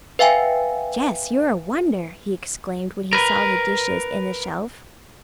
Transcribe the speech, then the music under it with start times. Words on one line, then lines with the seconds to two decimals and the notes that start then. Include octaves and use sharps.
"Jess, you're a wonder!" he exclaimed when he saw the dishes and the shelf.
0.19 B4 E5 F5 G5 G#5
3.13 A#4 B4